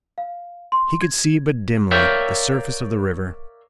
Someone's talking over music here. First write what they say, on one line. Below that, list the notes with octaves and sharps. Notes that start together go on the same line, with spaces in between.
He could see but dimly the surface of the river.
F5
C6
G#6
A#4 C#5 D5 E5 F5 G5